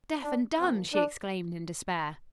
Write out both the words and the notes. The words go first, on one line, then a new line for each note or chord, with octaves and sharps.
"Deaf and dumb!" she exclaimed in despair.
D4
A#2 F3 A#3 C4
D4